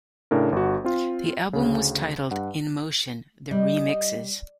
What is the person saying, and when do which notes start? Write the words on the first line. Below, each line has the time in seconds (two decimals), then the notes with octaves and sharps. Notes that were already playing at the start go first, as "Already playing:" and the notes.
The album was titled "In Motion: The Remixes".
0.31 A2 C#3 D4 A#4
0.52 G1 F#4
0.84 C4 F4
1.53 D2 C#3
2.31 G2 F#5
3.51 G3 D#5